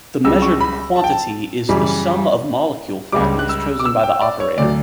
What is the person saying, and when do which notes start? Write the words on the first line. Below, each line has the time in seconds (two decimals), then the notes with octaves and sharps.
The measured quantity is the sum of molecule fragments chosen by the operator.
0.24 C#2 C#3 G3 E6
0.42 C#6
0.61 B5
0.96 A5
1.04 G5
1.10 A5
1.69 F#2 C#3 E3 G3
3.12 C#2 C#3 G3 D6
3.39 F#6
3.49 E6
3.80 D6
3.86 E6
4.03 G5
4.21 D5
4.40 C#5
4.58 D2 D3 F#3 D5